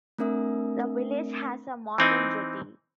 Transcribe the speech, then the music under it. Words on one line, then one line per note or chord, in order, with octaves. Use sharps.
The village has a modern jetty.
A3 C4 D4 A#4 E5 D#6
E3 C4 D#4